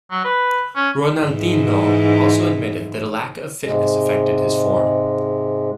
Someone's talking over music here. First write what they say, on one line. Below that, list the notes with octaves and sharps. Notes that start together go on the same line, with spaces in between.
Ronaldinho also admitted that a lack of fitness affected his form.
F#3
B4
C#4
G#2 E3
G#2 C3 G#3